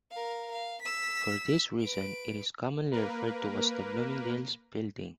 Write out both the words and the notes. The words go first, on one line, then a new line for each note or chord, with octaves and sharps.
For this reason, it is commonly referred to as the "Bloomingdale's Building".
A#4 F5
F5
E6 B6
B4 D7
A#3 A#4 B4